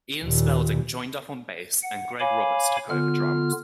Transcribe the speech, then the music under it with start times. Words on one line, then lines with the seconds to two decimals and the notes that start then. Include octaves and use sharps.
Ian Spalding joined up on bass and Greg Roberts took over drums.
0.24 D#2 A#2
1.83 F#5
2.20 C#5 F5 G#5 B5 D6
2.90 D3 B3 F4 F6